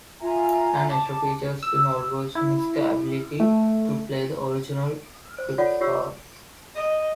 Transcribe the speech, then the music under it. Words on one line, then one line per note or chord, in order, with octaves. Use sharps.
An extra feature in all versions is the ability to play the original Pitfall!
F4 E5 G#5 A#5
A5 D6
E6
E4
A3
C5
F4 A4 C#5 D5 F#5
F4 G4 C#5 E6
D#5